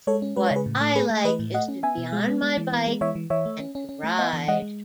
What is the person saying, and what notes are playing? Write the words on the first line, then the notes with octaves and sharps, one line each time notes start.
What I like is to be on my bike and to ride.
G#3 A4 C#5
C#4
G#3 B4
C#3 C#5
G#4 B4
A2
A3
A3 G#4 B4
A3
E3 B4 D#5
A2
A3 D#5 F#5
C#4
B3 E5 G#5
B2
G#3
B3
G#3
E3
B3
G#3
E3 C#5 E5
E3
E3 C#5 E5
A3
C#4
C#4
C#4
A3
B3 D#5 F#5
E3
G#3 D#5 F#5
G#3